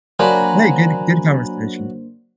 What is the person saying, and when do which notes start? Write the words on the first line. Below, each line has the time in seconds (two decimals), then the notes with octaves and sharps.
hey, good good conversation.
0.19 F#3 A#3 D4 C5 G#5 A#5 B5